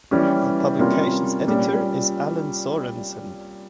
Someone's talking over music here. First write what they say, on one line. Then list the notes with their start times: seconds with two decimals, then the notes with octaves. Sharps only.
The publication's editor is Alan Sorensen.
0.11 E3 G3 C#4 G4
0.79 C3 G3 C#4 F4 A#4
1.47 A#2 G3 C#4